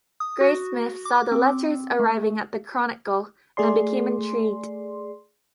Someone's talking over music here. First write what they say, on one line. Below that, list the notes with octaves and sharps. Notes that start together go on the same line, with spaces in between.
Graysmith saw the letters arriving at "The Chronicle" and became intrigued.
D#6
F#4
D6
C4
A3
A3 G#4 D5 C6